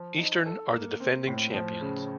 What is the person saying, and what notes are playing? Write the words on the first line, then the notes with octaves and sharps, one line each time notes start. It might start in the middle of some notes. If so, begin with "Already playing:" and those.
Eastern are the defending champions.
Already playing: F3
D#4
A4
A#3
C4
A2
F3
C#3